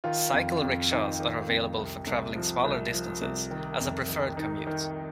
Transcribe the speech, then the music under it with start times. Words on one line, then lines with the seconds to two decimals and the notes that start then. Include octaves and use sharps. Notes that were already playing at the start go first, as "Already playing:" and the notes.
Cycle-rickshaws are available for travelling smaller distances, as a preferred commute.
0.04 D#3 F4
0.34 F2
0.62 F2
0.91 D#3 D#4
1.20 D#3
1.49 F2
1.78 C2
2.07 C2
2.35 F3
2.64 C2
2.93 F3
3.22 C2
3.51 D#3
3.80 F2
4.09 D#3
4.37 D#3 D#4
4.67 D#3